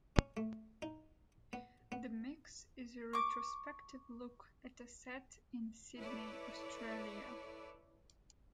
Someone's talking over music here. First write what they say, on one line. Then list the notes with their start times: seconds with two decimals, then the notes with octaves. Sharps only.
The mix is a retrospective look at a set in Sydney, Australia.
0.16 C#4
0.37 A3
0.82 D#4
1.53 B3
1.92 B3
3.13 C#6 D6
5.97 E4 A4 B4 C#5 D5